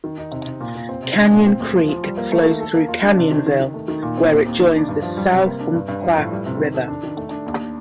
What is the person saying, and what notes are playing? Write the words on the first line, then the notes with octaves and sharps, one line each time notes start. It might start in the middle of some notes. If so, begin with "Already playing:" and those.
Canyon Creek flows through Canyonville, where it joins the South Umpqua River.
D#3
D#4
C3
C3
A#2
A#2
C4
C3
D4
A#2
C4
D2
F3
F3
G3
A#3
A3
D#3
A4
A#3
F4
D4
C3
D#3
D#3
D#3
A3
D#3
A#2
C4
D#2
D#2
D#3
D4
G2
F3
G3
C3
A#3
D4
G2
G2
F3
A2
G3
C3
D#3
A4
D4
D#3
A3
D4
D#2